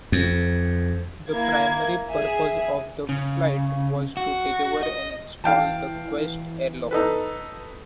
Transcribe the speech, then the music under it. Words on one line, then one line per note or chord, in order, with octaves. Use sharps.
The primary purpose of the flight was to deliver and install the Quest airlock.
F2
A#3 E4 G#6
G#4 E5 G#5
C#3
F#4
D#5
E3 F5 G5 A5
D#4 A4 B4